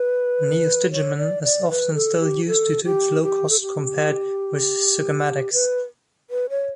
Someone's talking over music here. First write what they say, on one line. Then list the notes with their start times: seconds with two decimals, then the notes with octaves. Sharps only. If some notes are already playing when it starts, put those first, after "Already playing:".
Neostigmine is often still used due to its low cost compared with sugammadex.
Already playing: B4
0.92 C#5
1.17 D5
1.43 D5
1.69 B4
1.95 A4
2.20 G4
2.46 A4
2.84 G4
3.23 G4
3.50 A4
3.61 G4
5.53 B4
6.30 B4
6.50 C#5